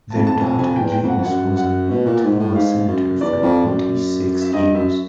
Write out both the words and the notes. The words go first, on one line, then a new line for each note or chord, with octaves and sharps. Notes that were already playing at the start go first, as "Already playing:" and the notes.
Their daughter Janis was a Manitoba senator for twenty six years.
F2 A5
A5
F2 G#5
F2 G#5
E2 G5
G5
F2 F#5
F2
F#2 F#5
F#5
B2
A#2
G#2
A2
G#2 F5
F#2
E2 D5
F2
F#2
E5
G2 D#5
F#2 E5